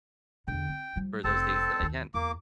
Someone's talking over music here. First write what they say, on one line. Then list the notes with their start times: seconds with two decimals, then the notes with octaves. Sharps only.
for those days that I can.
0.48 E2 D3 G5
0.69 C4
0.96 F3 G3
1.24 F1 C4 A4 A5
1.80 D#2 D#3
2.14 E2 A#3 D6